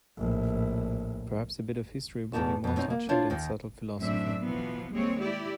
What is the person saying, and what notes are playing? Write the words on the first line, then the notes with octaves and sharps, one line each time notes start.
Perhaps a bit of history will be more touching than subtle philosophy.
A#1 A2
E2 B2 B3 D#4 A5
F2 B3
B2 C4 C#4 D#4
A#3
D4 E4 F4 C5 C#5
D#2 D#3
F#2 A2 C4 D4 E5
B2 E3 F3 B3
D#2 G3 G#3 A#3 C4 C#5
E4 G4 D5